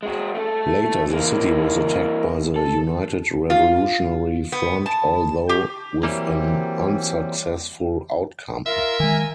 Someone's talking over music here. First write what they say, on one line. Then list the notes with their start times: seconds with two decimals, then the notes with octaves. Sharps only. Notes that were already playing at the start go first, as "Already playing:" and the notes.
Later the city was attacked by the United Revolutionary Front although with an unsuccessful outcome.
0.03 G#3 F#4
0.35 A3 A4
1.10 E3 A#3
2.56 A4
3.50 F4
4.52 B3
4.86 A5
5.49 G4
6.03 E3 F#3 G3 A#3 C4
8.66 F4 A#4 E5
9.00 D#3 G#3 G#5